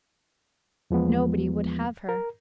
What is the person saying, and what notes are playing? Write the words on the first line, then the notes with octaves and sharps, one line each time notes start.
Nobody would have her.
E2 F3 G#3 B3
A#4